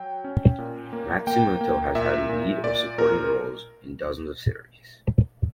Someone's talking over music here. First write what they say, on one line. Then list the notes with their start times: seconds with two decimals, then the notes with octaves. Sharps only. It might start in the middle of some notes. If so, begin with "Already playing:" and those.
Matsumoto has had lead or supporting roles in dozens of series.
Already playing: F#3 G5
0.24 C#4
0.58 A#2
0.93 A#3
1.27 A#3 G5
1.61 A#3
1.95 A#2 E5
2.29 A#2
2.64 A#2 D5
2.98 A#2 A#4